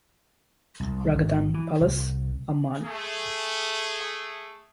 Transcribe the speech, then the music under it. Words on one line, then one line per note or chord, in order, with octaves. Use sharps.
Raghadan Palace, Amman.
C2
G#1
E3
C2
A3 G#4